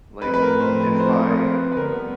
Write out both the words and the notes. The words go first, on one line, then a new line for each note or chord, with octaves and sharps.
Like, if I
A2 F3 A3 C4 B4
B4
A#4
C5
B4
C5
A#4
B4
B4
D3 G3 B3 A#4